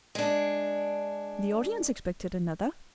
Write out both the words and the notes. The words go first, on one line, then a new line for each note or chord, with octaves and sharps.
The audience expected another.
G#3 D4